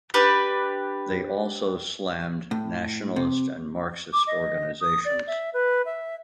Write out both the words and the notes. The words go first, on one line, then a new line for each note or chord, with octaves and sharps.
They also slammed nationalist and Marxist organizations.
D4 G4 B4
A2
C3
D6
D#5
D#6
D5
E5
B4
E5